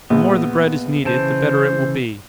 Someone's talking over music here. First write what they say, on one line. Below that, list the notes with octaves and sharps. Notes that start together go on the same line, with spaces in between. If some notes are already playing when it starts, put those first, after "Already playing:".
The more the bread is kneaded, the better it will be.
A#1 B3
C#3 E3 C5 A5